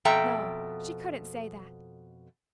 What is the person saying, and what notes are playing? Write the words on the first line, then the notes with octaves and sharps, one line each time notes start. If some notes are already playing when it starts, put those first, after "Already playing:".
No, she couldn't say that.
F2 B2 A4 E5 G5 A#5